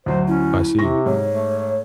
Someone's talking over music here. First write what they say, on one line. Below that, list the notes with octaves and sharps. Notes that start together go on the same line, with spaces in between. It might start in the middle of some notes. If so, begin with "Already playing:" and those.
I see.
D2 F#3 C5
C#4 E4
C3 C#6 A#6
G#2 C#5
A3